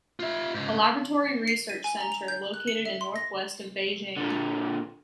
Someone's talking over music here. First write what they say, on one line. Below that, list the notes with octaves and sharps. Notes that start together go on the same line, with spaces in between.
A Laboratory Research centre located in northwest of Beijing.
F4 E5
G#2 C#3
C7
D#7
G#5
A#5
F7
G6
F#6
C#7
E5
C6
A#6
A#2 D3